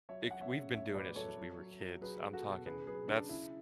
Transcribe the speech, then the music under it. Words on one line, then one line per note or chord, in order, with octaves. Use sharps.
like, we've been doing it since we were kids, I'm talking that's
F#3 C#5 E5
F#3 F#5
C#5 E5
C#3
A2 C#5 E5
F#3 B4 D5
F#3 A4 C#5
F#3
F#3
F#3
F#3 G#4 B4
F#3
F#4 A4
B2
C#3 G#4 B4
F#3 G#4 B4
C#3 D4
C#3 E4